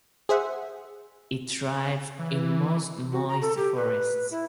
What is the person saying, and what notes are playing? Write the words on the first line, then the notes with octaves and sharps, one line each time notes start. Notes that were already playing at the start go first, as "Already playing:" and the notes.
It thrives in most moist forests.
G#4 C5 E5 F#5
E3
F#4
A#5
A4
G4
B4
E4